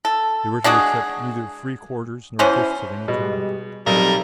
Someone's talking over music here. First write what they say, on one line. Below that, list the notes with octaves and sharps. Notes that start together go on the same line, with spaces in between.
They were to accept neither free quarters nor gifts of any kind.
A4
G#3 D4 F#4 G#4
B2 E3 C#4 C5
B2 G3 G#3
B1 F3 G3 C4 A4 A#4